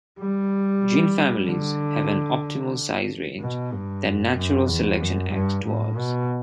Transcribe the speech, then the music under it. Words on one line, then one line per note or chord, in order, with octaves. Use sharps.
Gene families have an optimal size range that natural selection acts towards.
G3
D3
B2
G2
F#2
F#2
E2
F#2
G2
A2
B2